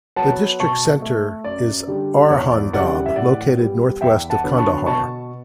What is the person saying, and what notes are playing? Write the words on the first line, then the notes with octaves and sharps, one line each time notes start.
The district centre is Arghandab, located northwest of Kandahar.
F#3 F#5 A5
B3
B2 A5 C#6
A3
F#2 D5
D3 G3
E2 C#5
D5
C#3 E3 G3 D5 F#5
F#5
E5
A2 D5 F#5
G3 B3
E2 E5 G5
F#5 A5
D3 F#3 B3
A5 C#6
B2 A5 C#6